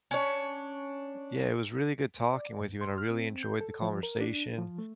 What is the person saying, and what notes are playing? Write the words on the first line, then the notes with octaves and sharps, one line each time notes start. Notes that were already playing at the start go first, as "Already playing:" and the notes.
Yeah, it was really good talking with you, and I really enjoyed the conversation.
C#4 D4 C#5
D5
G2
C6
F6
C4
G6
A4
F3
A#4
D4
F3
A3